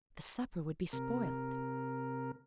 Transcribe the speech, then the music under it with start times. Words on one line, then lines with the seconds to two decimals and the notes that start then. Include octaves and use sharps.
The supper would be spoilt.
0.93 C3 A#4